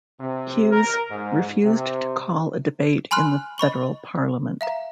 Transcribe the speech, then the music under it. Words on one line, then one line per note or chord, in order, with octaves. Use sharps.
Hughes refused to call a debate in the Federal parliament.
C3
A#4
G#2
C3
G#5 B5 C6 F6 F#6
D#5 B5 C#6 F#7
E5 F5 A#5